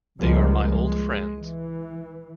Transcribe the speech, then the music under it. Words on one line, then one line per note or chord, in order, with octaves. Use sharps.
They are my old friends.
C#2 F3 G3 G#3 A#3
G#3
E3